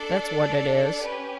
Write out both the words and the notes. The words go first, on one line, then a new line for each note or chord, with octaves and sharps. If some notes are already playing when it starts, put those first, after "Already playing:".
That's what it is.'
Already playing: D4 A4 D5
C#4 G4 B4